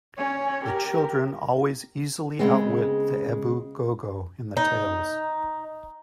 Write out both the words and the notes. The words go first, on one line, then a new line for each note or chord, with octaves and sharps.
The children always easily outwit the Ebu Gogo in the tales.
C#4 C#5
G4 A#4
C#3 G#3 B3 C4
D#4